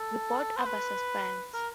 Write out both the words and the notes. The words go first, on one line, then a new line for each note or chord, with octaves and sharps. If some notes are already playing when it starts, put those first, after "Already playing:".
We both abhor suspense.
Already playing: A4
C5
B4
A#4